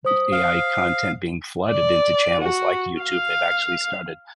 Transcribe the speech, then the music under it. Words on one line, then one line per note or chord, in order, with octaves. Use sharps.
with AI content being flooded into channels like YouTube, they've actually started,
C5 D#6
F5
D5
F#4
F5